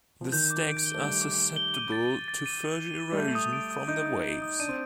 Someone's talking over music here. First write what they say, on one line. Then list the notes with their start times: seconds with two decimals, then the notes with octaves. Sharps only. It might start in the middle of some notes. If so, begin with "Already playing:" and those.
The stacks are susceptible to further erosion from the waves.
0.21 F3
0.32 D#3 G6
0.50 D6
0.69 D7
0.86 G7
0.94 A3
1.04 G3 G6
1.21 D6
1.39 D7
1.56 G7
1.75 D#7
1.92 A6
2.10 G7
2.28 A6
2.46 D#7
2.64 A6
2.81 G7
3.00 A6
3.12 G3
3.17 A3 G6
3.35 D#6
3.53 D7
3.71 D#6
3.88 D#4 G6
4.06 D#6
4.24 D7
4.42 D#6
4.59 D4 D#7
4.69 C4